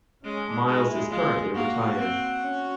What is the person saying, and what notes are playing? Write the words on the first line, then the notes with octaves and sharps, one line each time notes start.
Miles is currently retired.
G#3 C#4
D4
G#3 D#4
E4
G#3 F4
A#3 F#4
C4
C#4